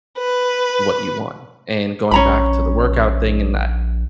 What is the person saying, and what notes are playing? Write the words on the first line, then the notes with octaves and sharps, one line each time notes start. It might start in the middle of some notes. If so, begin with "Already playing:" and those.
what you want, and going back to the workout thing, and that
B4
A#1 C#4 A#5 B5